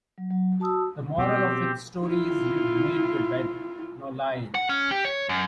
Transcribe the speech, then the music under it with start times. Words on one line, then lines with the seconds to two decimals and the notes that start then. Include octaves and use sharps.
The moral of its story is you've made your bed, now lie in it.
0.18 F#3
0.30 F#3
0.60 F#4 A5 D#6 E6
1.18 B2 C4 G4
2.04 E4 F4
4.55 F#5
4.69 C#4
4.91 G4
5.05 C#5
5.29 F#2